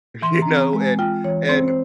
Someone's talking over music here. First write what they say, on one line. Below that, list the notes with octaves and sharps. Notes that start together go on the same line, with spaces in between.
you know, and and
E3 C6
A#5
C4
A#5
G#3
G#5
F4 G5
E3 C#5
C4 C5
C5